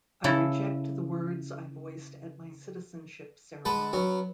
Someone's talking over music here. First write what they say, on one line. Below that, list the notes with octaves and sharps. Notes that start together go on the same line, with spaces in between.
I reject the words I voiced at my citizenship ceremony.
C#3 E4 A4
G#3 B4 F#5 A5
F#3 B3 C#4